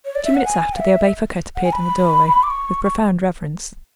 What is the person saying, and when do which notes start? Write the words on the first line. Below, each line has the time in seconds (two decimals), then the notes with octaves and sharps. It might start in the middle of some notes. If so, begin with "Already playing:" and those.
Two minutes after, the Abbe Fouquet appeared in the doorway, with profound reverence.
0.05 C#5
0.15 D5
0.24 E5
0.35 F#5
0.45 G#5
0.78 E5
1.56 F#5
1.64 G#5
1.73 B5
2.43 D6
2.50 C#6
2.85 C#6